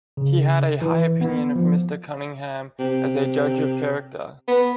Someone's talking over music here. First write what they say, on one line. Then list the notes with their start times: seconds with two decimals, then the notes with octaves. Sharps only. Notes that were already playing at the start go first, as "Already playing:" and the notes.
He had a high opinion of Mr Cunningham as a judge of character.
0.17 C#3
0.82 E3
1.21 B3
1.56 F3
2.79 C3
4.48 B3